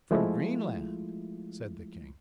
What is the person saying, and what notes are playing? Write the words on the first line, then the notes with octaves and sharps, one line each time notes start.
"From Greenland!" said the king.
F3 G#3 A3 E4 F4